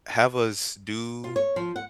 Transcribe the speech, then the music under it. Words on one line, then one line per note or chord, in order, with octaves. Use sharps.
have us do
F4
C#5
F3
F#5